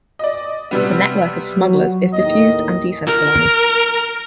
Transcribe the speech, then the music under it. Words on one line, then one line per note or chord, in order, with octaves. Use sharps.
The network of smugglers is diffused and decentralized.
D5 D#5
C3 G3 B3
F#3
D#2 A2 D#3 D#5
A#4